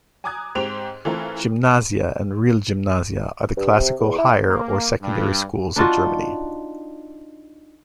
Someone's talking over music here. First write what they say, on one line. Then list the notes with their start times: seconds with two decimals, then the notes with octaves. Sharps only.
Gymnasia and "Realgymnasia" are the classical higher or secondary schools of Germany.
0.24 G#5 A#5 D6 D#6 F#6 G#6
0.55 G#2 C4 G4 C5 D7 F7
1.05 E3 A3 C4 F4 A4 A#4
3.57 G2
3.76 C3
3.99 E2
4.18 E4
4.48 A#3
5.02 G2
5.76 D4 D#4 F4 F#4